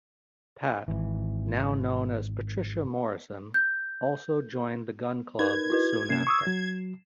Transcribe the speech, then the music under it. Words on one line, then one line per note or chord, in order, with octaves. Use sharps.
Pat, now known as Patricia Morrison, also joined The Gun Club soon after.
G#1 E3
G6
D#4 A#4 B4 G#6
E4 F#4 B4
C3 A#3 C#4 C7 E7
C#6 D#6 E6
F#3